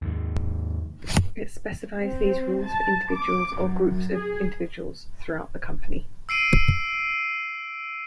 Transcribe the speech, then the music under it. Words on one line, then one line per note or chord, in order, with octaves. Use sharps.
It specifies these rules for individuals or groups of individuals throughout the company.
D#2 G#2
C4
A5
D6
F#2
G#4
E6 C7 D7 D#7